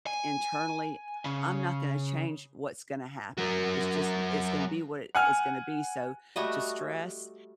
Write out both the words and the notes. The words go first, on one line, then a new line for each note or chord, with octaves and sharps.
i internally, I'm not gonna change what's gonna happen; it's just it's gonna be what it's gonna be, so, to stress
G#5
C#3
F#3 A#4
F#5 G#5 F6
G3 A3 F#4 D#5